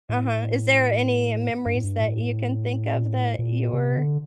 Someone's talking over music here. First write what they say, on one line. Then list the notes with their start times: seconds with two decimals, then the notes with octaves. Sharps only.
Uh-huh, is there any memories that you can think of that you were
0.09 A2
1.66 G2
1.75 A2
1.84 G2
2.00 A2
2.95 A#2
3.04 A2
3.39 A#2
3.73 C3
3.97 D3